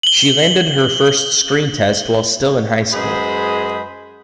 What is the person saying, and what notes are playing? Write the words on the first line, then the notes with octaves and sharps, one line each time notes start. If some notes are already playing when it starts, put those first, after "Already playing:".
She landed her first screen test while still in high school.
F#7 G7
F#2 G#3 G#4 B4 C5 B5